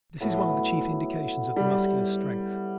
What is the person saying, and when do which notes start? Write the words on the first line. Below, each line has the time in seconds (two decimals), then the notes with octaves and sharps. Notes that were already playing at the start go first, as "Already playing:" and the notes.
This is one of the chief indications of the Muscular's strength.
0.21 A2 F#3 B3
1.56 G3